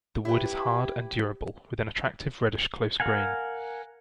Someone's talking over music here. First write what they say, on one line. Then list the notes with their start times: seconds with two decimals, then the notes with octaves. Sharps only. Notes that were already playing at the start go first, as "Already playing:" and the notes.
The wood is hard and durable, with an attractive, reddish, close grain.
0.25 E4 G4 B4
3.00 A#4 F5 F#5 G#5